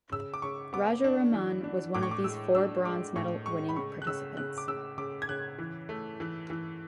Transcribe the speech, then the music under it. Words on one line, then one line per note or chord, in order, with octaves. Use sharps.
Rajaraman was one of these four bronze medal winning participants.
C#3 E6
D6
C#3 C#6
B3 D6
D4
E3
D4
A2 D6
C#6
D6
G#3 E6
D4 E6
G#3 D6
A2 C#6
G#3 C#6
B5
C#3 C#6
F#6
C#3 E6
C#3 F#6
D6
C#3 E6
C#3 D6
G#6
C#3 F#6
E3
A3
E3
E3